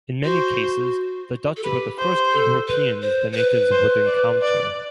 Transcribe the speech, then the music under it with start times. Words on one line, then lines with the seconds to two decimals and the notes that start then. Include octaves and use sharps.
In many cases the Dutch were the first Europeans the natives would encounter.
0.24 F#4 C5
1.57 A4
1.64 G4 B4
1.98 C5
2.32 A4
2.68 B4
3.02 C5
3.33 C5
3.37 B4
3.71 C5
4.06 D5
4.42 D5